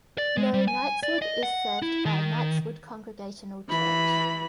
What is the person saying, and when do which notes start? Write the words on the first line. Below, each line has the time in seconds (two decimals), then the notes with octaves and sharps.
Low Knightswood is served by Knightswood Congregational church.
0.18 D5
0.37 G#3
0.54 G3
0.68 G#5
1.03 D5
1.22 D#5
1.43 F#5
1.82 E4
2.05 D#3
3.69 E3 B5